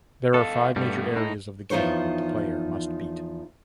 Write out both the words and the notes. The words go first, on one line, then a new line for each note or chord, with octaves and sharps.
There are five major areas of the game that the player must beat.
B2 A4 D#5 F5
G2 G3 A3 B3
A2 D#4
E2 F3 D#4 C5 C#5